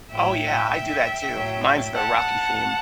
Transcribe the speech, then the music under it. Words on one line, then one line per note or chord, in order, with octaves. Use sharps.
Oh, yeah, I do that too. Mine's the Rocky theme.
A2 F#3 E5 G5
A2 F#3
F#5 A5